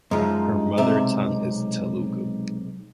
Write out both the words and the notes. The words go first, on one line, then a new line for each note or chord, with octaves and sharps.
Her mother tongue is Telugu.
F#2 F3 G#3 D#4
B1 C3 E5